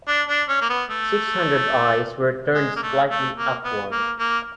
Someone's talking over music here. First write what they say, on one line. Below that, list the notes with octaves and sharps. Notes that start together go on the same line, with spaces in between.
Six hundred eyes were turned slightly upward.
D4
D4
C#4
A#3
B3
A3
G#3
A#3
A3
A3
A#3
B3
A#3
A#3